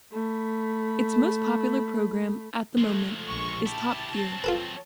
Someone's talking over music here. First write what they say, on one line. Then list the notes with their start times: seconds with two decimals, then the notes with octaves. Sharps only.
Its most popular programme at the moment is "Top Gear".
0.12 A3 B5
2.78 F3 G#3 A3
3.28 A#1 C#6
3.66 E4 G4 A5
4.14 F#3 C4
4.44 F4 A4 B4